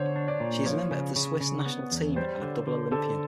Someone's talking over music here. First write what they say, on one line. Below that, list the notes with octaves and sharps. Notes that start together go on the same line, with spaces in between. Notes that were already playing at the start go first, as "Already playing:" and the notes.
She is a member of the Swiss National Team and a double Olympian.
Already playing: D3 C5 C#5
D4
D5
A#2
F3 C#5
C#3
C#3
C#3
B3
E2
G3 C5
D3
D3
D3 A4